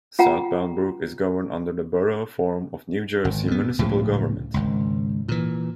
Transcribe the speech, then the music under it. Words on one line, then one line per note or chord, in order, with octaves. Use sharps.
South Bound Brook is governed under the Borough form of New Jersey municipal government.
F4 F#5 G5 A#5
G#1
E2 B3
C#2 A2 C#3 F3
G#1 C#2
A#2 E3